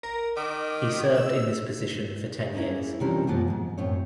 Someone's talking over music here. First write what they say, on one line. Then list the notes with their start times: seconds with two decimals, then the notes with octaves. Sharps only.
He served in this position for ten years.
0.03 A#4
0.37 D#3 D6
1.15 E6
2.55 A#3 B3 C#4 E4 G#4
3.00 C3 E3 F3 G3 C#4 A#4
3.27 F#2 B2 F3 G#3 A#3 B3
3.47 D2 G#2
3.77 F#2 A2 C4 C#5